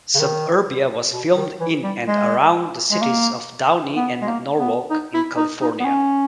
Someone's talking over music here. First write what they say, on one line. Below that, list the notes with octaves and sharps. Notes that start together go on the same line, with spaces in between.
Suburbia was filmed in and around the cities of Downey and Norwalk in California.
C#3
D#3
B2
D#3
E3
G3
G#3
G#3
A#3
B3
G#3
A#3
B3
D#4
E4
D#4
D#4
B3
C#4